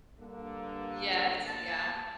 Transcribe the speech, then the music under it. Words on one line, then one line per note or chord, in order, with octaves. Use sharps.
Yes, yeah.
G2 D3 A#3
A5